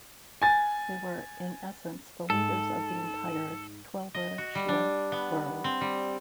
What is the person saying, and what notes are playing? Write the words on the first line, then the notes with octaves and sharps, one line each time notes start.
They were in essence the leaders of the entire Twelver Shi'a world.
G#5 A6
G#2 A4
D#5
F#4
G3
D4
B3
C4
G3